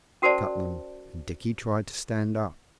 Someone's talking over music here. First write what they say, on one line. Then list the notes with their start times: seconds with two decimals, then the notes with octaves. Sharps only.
He cut them, and Dickie tried to stand up.
0.22 C#4 F#4 A#4 C5 D5 A5